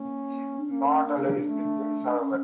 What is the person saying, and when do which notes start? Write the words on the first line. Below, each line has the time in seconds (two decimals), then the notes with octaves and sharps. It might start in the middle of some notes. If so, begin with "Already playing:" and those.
This is not always the case, however.
Already playing: A#3 C#4
0.59 D4
0.70 A#3 C#4
1.06 D4
1.45 A3
2.20 C#4